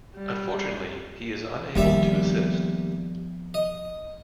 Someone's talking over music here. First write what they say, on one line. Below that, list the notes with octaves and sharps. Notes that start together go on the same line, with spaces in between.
Unfortunately, he is unable to assist.
G3
D#2 F3 G3 B3 E5
D#5